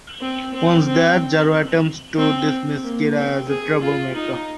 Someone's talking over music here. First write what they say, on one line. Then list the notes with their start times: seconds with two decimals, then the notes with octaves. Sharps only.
Once there, Jaro attempts to dismiss Kira as a troublemaker.
0.21 C4
0.54 C4
0.87 C4
2.18 C4
2.83 A#3
3.16 C4
3.49 G#4
3.81 F4
4.14 D#4